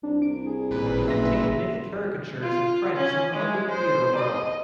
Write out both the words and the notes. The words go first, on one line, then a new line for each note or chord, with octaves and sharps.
It contained many caricatures of friends in the London theatre world.
C2 D4
C2 D7
G#4
A1 A#2 B4
F#1 E5 C6 A#6
F4
C#4
G#3
C5
D#5